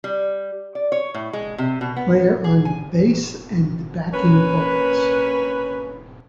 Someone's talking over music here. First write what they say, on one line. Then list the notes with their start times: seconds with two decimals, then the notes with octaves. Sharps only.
Player on bass and backing vocals.
0.04 G3
0.75 D5
0.92 C#5
1.14 A2
1.33 G#3
1.58 C3
1.81 B2
1.96 B3
2.44 G#4
2.65 G#5
4.14 A#3 C#4 B4